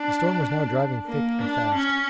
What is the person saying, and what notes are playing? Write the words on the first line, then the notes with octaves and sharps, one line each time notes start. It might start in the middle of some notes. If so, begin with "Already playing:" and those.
The storm was now driving thick and fast.
Already playing: D4
A#3
D4
C#4